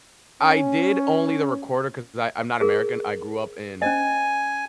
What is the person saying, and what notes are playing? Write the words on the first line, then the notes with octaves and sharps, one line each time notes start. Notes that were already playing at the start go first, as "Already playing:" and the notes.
I did only the recorder 'cause I I'm not American I grew up in
C#4
G#4 A#4
C#4 C5 D#5 G#5